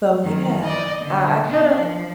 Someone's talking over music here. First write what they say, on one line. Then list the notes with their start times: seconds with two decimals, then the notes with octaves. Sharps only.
So, yeah, I I kinda
0.24 F#2 D#3
0.63 D5 D#5
1.02 D3
1.47 B2 D4
1.78 F3